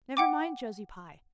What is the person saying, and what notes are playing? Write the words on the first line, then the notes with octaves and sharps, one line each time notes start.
Never mind Josie Pye.
F#5 G5 D6